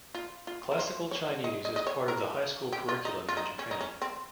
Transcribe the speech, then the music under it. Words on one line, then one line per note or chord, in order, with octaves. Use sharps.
Classical Chinese is part of the high school curriculum in Japan.
F4
F4
A#4
C5
C#5
D#5
D#5
D#5
C#5
A#4
G4
F4
D#4
F4
D#4
C#4
D#4
C#4
C4